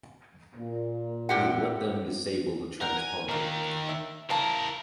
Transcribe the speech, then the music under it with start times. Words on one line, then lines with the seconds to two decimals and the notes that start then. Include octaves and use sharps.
You let them disable the transponder.
0.56 A#2
1.29 A2 G4 F#5
2.81 G3 A#4 F#5
2.97 G#5
3.29 D#3 A#3 F4 A#4
3.89 E5
4.30 E4 A#4 F5 A5